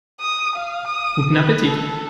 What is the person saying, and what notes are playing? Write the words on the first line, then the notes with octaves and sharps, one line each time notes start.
Guten Appetit!
D#6
F5
D#6
B4
A4